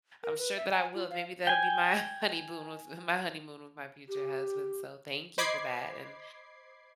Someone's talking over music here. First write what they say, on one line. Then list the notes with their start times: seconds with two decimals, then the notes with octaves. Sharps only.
I'm sure that I will, maybe that'll be my, honeymoon with my honeymoon with my future husband, so thank you for that, and
0.23 A#4
0.38 B4
0.56 E5
0.71 G#5
0.95 F4
1.10 F5
1.47 G5 G#5
4.09 G4
5.38 C5 D#5 B5 D6 G#6 C7